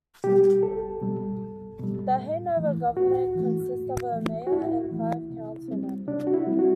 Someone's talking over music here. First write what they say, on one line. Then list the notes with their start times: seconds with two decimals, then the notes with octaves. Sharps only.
The Hanover government consists of a mayor and five council members.
0.24 B2 G3 G4
0.63 C2 A4
1.02 B2 G3
1.41 C2
1.79 B2 G3
2.18 A2
2.57 E3 A3
2.96 A2 F#4
3.35 E3 A3
3.74 A2
4.12 E3 A3
4.47 F#4
4.52 A2 E4
4.91 E3 A3
5.30 C3
5.68 G3 C4
6.07 C3 D4
6.27 F#4
6.34 E4
6.47 G3 C4
6.59 F#4